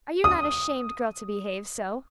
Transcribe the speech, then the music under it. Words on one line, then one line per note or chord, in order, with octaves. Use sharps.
Are you not ashamed, girl, to behave so?'
D#6